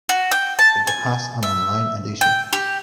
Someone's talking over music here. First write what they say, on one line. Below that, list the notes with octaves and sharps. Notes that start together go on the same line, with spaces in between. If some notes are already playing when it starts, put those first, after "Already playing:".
It has an online edition.
F#4
G5
A5
G#5
E5
G5
G4